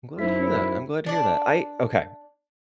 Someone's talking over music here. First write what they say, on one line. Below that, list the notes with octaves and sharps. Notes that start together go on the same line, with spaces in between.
I'm glad to hear that, I'm glad to hear that, I okay,
F#2 D#4 E4 C5 B6
D4 D5